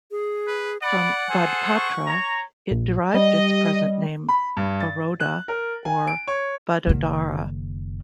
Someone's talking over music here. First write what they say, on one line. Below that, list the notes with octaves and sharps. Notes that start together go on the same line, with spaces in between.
From Vadpatra it derived its present name Baroda or Vadodara.
G#4
B4
D5 F#5 B5
G#4 A4 C5 G#5
C#6
C#5 A#5
A#1
G3 D#5
B5
G2
A6
F#6
A#4
G#5
D7
C#5
F#1 D#3